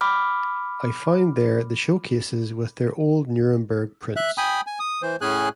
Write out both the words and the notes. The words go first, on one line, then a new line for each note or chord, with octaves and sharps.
I found there the show-cases with their old Nuremberg prints.
B5 D6 F6
E5 F#6
G5 G#5 B5 D#6
G#5
D#6
E3 C5
A2 C#4 G#4 G#5 F#6